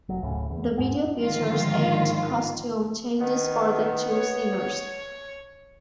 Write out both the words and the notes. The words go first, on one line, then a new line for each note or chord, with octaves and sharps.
The video features eight costume changes for the two singers.
F1 F#3
D2 A2 C#3
E2
E2 G#2 G#3 B3
G#2 D3 D#3 F3 F4
D#3 B3
C#5